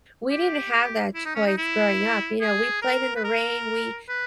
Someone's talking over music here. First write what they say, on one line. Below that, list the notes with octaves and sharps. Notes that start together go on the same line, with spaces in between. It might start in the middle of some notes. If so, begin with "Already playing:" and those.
we didn't have that choice growing up, you know, we played in the rain, we
G4
E4
D#4
C#4
D#4
E4
G#4
A#4
B4
A#4
B4